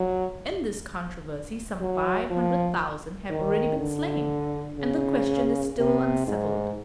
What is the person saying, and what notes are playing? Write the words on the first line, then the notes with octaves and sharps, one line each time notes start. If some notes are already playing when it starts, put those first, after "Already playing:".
In this controversy some five hundred thousand have already been slain, and the question is still unsettled.
Already playing: F#3
F#3
F3
D#3
D3
C#3
C3
G#2